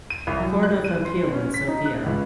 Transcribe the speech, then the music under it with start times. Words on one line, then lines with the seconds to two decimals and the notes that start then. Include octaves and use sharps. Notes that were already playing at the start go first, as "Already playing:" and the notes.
Court of Appeal in Sofia.
0.10 D#7
0.27 C2
0.39 F#3
0.63 F#6
0.84 D#7
1.05 C6
1.34 C#4
1.54 B6
1.68 D#4
1.85 F#6
2.06 C#2